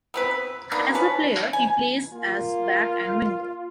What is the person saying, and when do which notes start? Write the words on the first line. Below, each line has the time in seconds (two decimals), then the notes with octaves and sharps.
As a player, he plays as back and winger.
0.14 B3 C4 B4
0.72 A#3 B3 D4 D#4
0.95 F3 C#4 B4
1.53 G#5
2.13 A#3 F4